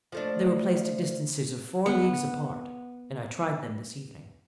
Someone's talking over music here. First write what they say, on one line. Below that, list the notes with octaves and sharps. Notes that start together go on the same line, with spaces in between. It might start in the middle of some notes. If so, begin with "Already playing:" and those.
They were placed at distances of four leagues apart, and I tried them this evening.
F3 A3 D4
B3 F#5